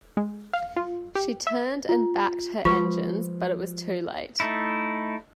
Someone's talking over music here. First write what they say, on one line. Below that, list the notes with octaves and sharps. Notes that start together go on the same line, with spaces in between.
She turned and backed her engines, but it was too late.
G#3
F5
F4
G4
E5
F4
F3 G#3 F4 B4 C#6
A3 D#4 E4